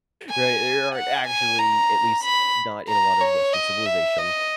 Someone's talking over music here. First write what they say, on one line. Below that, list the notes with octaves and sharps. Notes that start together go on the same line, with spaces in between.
right? There aren't actually- at least, not in a lot of Western civilization-
G#5
F#5
G#5
A#5
B5
A#5
C#5
D#5
E5
D#5